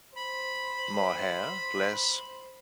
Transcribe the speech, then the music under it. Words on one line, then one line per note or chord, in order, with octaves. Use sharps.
More hair, less...
C5 B5